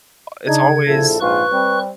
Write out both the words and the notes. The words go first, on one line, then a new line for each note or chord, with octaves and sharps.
a it's always,
C#3 D4 D#4 G#6
A#1 E4 A4
A#1 G#2 F4 B4 C#6 F#6
G3 C4